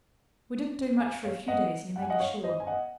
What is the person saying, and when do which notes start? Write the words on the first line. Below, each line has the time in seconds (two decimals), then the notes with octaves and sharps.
We didn't do much for a few days, you may be sure.
0.99 F5 G#5
1.24 C#5 F5
1.48 D#5 F#5
1.96 F#5
2.02 G#5
2.10 D#5 F#5
2.19 C#5 F5
2.43 C5 D#5
2.60 G#5
2.67 D#5 F#5